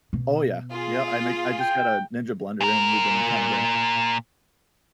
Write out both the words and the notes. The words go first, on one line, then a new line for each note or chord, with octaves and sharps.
Oh yeah, yeah, I make I just got a ninja blender and we've been kinda goin
B2
F4 G#4
G5
A#2 A#4